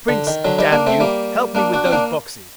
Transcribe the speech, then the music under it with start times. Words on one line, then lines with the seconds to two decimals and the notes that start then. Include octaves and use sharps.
"Prince, damn you, help me with those boxes!"
0.08 D3
0.27 D#3
0.45 D3 F#3
0.59 D#3 G3
0.72 A#3 D4
0.87 A3 C4
1.00 G3 A#3
1.55 A#3 D4
1.74 D4 F#4
1.85 C4
1.92 A#3 D4